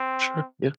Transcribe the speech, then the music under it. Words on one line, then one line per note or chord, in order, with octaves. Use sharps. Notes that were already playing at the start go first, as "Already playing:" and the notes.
Sure, yeah.
Already playing: C4